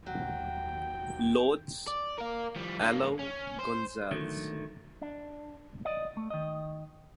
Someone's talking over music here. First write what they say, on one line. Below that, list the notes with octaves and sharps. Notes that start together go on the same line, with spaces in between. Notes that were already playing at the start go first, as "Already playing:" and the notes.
Lourdes "Alou" Gonzales.
D#2 F#3 G5
D5
A#4 F5
F3 G3
G2 A#3
C#4
C5
D3 D#3 F#3 A3
D4
D5 D#5
A3
D#3 D#5